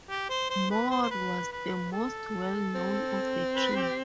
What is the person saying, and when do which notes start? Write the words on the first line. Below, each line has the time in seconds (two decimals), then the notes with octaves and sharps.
Moore was the most well-known of the three.
0.10 G4
0.30 C5
0.50 C5
0.71 B4
0.91 C5
1.03 C5
1.11 B4
1.52 B4
1.93 A4
2.74 C4
3.56 B4
3.76 G4